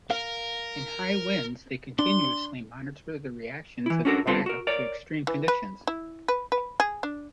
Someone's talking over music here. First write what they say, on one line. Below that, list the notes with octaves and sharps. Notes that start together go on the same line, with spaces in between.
In high winds, they continuously monitor the reactions of the Viaduct to extreme conditions.
A#4 F5
D4 C6
E3 E4
C#4 D4 F#4 A4 A#4
G2 B3 C4 F4 A4 C6
F#4 A#4
A#4 C#5 D5
E3
B4
E4
B4
B4
G#4
D4